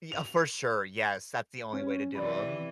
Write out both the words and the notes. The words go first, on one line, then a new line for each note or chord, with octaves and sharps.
Y uh, for sure, yes, that's the only way to do 'em.
F7
C#4
C3 E3 D5 B5